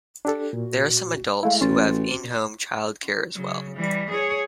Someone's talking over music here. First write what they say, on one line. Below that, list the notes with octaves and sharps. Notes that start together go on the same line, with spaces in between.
There are some adults who have in-home childcare as well.
D4 G4 A4
A#2 F#4
G#3 A3 E4 F5
A1 C#4 F#4 C6 A6
C#3 F#3
E3 G3
G#4 C#5